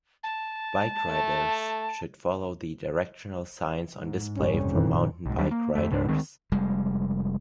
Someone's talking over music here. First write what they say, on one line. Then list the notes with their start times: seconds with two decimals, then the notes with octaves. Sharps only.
Bike riders should follow the directional signs on display for mountain bike riders.
0.23 A5
1.06 A3
3.97 G#2
4.36 A#1 F2 C3 G3 C#4
4.69 F#1 F2 A#2 D#3 E3
5.26 B1 G#2
5.38 D#2 F#3 G3 D4
5.51 A#3
5.75 F2 A3
5.91 C#2 G#2 G3 D4
6.09 D2 D#3 G#3 C4
6.52 F1 G3 G#3